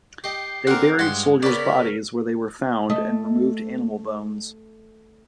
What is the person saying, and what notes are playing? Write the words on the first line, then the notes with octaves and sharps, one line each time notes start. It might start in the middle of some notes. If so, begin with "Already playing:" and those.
They buried soldiers' bodies where they were found and removed animal bones.
G4 D#5 G5 C7
D3 C4 A#4 F#5 D6
G2 G#3 F5 F#5 C6
C#3 B3 A#4 D5 B5 B6
A3 D#5